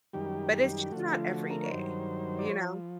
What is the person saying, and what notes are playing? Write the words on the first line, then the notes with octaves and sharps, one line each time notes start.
But it's just not every day, you know?
F#2 D#3 G3 G4
G4
D3 F3 A3 F#4
F4
F#4
A#4
C#5
G2 D#3 F#3 C5
D5
F3 C#5